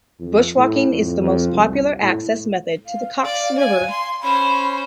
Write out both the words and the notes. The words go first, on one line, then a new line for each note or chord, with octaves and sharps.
Bushwalking is the most popular access method to the Coxs River.
F2
A2
F2
F2
C2
A2
F5
D5
G#5
C6
C#4 C5 B5